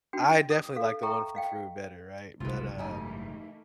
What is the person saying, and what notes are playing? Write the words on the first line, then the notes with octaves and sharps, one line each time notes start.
I definitely like the one from Peru better, right? But, uh
D4 F#4 G5
D#6
A4 F5
A4 E5 G5 A#5 C#6
D#5 F5 G5
F#1 C2 G#2 B2 F4 B4
F2 E3 G3 A3 A#3 D#4 G#5